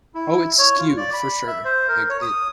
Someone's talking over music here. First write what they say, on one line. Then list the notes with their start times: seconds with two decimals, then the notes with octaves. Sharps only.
Oh, it's skewed for sure. Like, it
0.15 E4
0.32 E4
0.58 C#5
0.79 F4
0.97 D5
1.13 B5
1.47 E5
1.65 C5
1.88 A#4
2.09 C#5
2.22 D#6